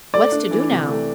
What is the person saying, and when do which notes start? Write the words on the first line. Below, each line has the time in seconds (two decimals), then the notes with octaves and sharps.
"What's to do now?"
0.14 A3 D5
0.32 D4
0.51 E3
0.70 C3
0.89 A3